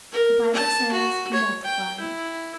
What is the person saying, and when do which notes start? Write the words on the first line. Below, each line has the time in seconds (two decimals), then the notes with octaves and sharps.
The Bible says: Multiply.
0.12 A#4
0.54 A5
0.92 F#4
1.34 C#5
1.65 G5
2.00 E4